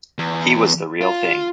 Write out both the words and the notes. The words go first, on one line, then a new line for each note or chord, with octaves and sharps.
He was the real thing.
E2
F4